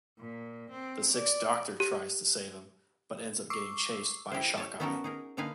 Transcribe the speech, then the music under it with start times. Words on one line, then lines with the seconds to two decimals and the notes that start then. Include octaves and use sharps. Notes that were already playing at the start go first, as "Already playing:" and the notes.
The Sixth Doctor tries to save him, but ends up getting chased by Shockeye.
0.19 A#2
0.70 C4
1.13 D5
1.80 G4
3.50 C#6 D6 E6 C7
4.31 E4 G4 G#4 C5
4.57 C#5 A5
4.80 B3 C#4 D#4 F#4 A4 A#4
5.04 D#4 G#4 A#4
5.37 D3 A#3 D#4 B4 F5 G#5